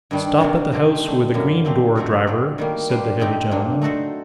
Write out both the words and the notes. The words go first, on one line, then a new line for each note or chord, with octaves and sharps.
'Stop at the house with a green door, driver,' said the heavy gentleman.
G2 D#3 G3 D4
C3 D#3 F#3 A#3 D4
A3 C4 D#4 G4 C5
D3 A3 D#4
F#2 F#3 A#3
D3 A3 C4 G4 C5
C3 F#3 A3 C4 D#4
A3 D4 A4
D#3 G3 A#3
G3 A#3 D4 G4 C5
A2 A3 C4 D#4 G4
G2 F#3 A#3 D4
A3 D#4 F#4 A4 C5